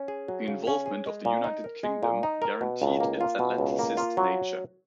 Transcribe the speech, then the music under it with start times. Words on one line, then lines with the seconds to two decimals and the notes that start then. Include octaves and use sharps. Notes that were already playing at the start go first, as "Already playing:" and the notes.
The involvement of the United Kingdom guaranteed its Atlanticist nature.
Already playing: C#4
0.08 G#4
0.28 F#3
0.48 C#3
0.67 C#4
0.86 G#4
1.06 G#3
1.25 A#2
1.44 D#4
1.64 A#4
1.83 G#3
2.03 A#2
2.23 D#4
2.42 A#4
2.61 B2
2.82 C#2
3.00 A#3
3.21 F4
3.39 B2
3.58 C#2
3.79 A#3
3.97 F4
4.17 F#3